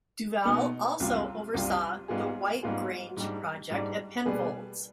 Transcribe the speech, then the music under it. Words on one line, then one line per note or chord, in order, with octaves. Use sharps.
Duval also oversaw the 'White Grange' project at Penfolds.
B2 B3 D#4
C2 C3 G3 D4 F4
C2 C3 G3 D4 F4
G#2 G3 B3 F4 G#4
G#2 G3 B3 F4 G#4
G#2 G3 D4
G#2 G3 D4
B2 G3 D4 G#4 B4